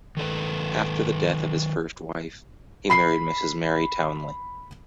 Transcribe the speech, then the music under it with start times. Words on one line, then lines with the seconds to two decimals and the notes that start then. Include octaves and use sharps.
After the death of his first wife, he married Mrs. Mary Townley.
0.17 D#3 A4 B4
2.90 B5 C7